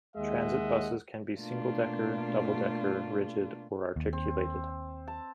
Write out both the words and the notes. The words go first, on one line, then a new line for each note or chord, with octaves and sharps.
Transit buses can be single-decker, double-decker, rigid or articulated.
D#2 G#3 D#5 E5 F#5
B2 A3 A#3 D4 F4
D#2
C4
A5